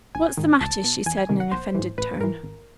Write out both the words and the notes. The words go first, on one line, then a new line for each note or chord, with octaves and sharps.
"What's the matter?" she said in an offended tone.
A#1 G#5
G#2 D#3
C#2 A5
B2
E2 G#5
G#5
C3 D#3
F#5
A#1 C5
G#2 E3
A1 B4
G#2 E3 A#4
G#1